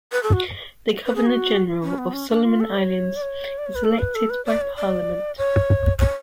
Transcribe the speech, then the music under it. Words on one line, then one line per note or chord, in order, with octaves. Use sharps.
The Governor-General of Solomon Islands is elected by parliament.
B4
A4
F#4
B4
G#4
F#4
C#4
B3
C#4
D4
F4
A4
C#5
D5
C#5
D5
C#5
B4
A4
B4
A4
B4
D5
C#5
D5
C#5
C#5